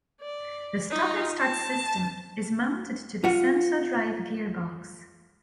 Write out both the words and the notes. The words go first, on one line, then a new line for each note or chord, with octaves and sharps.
The Stop and Start system is mounted to the SensoDrive gearbox.
D5
D#4 F4
A5
F4 F#5